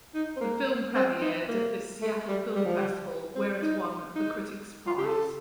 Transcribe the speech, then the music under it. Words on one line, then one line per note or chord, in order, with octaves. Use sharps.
The film premiered at the "Seattle Film Festival" where it won the "Critics Prize".
D#4
C4
A#3
C4
D#4
A#3
A3
G3
G3
F3
G3
C4
D#4
D#4
F4
G4
A4